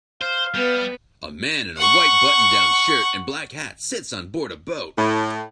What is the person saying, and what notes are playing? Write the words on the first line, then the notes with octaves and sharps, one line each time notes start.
A man in a white button down shirt and black hat sits on board a boat.
C5 F5
G3 B3
F#5 C#6
A2